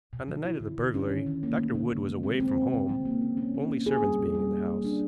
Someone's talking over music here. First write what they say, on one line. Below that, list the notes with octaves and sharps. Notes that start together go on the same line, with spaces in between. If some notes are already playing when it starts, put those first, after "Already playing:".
On the night of the burglary Dr. Wood was away from home, only servants being in the house.
B2
F#3
E4
D3
D3
C#4
D#3
D#3
A#3
A3
C#3
C#3
G#3
C4
C4
C#3
C#3
F#3
A#3
C#4
C#4
A#3
A#3
G#4
G3
B2
G3
A#3
A#3
D4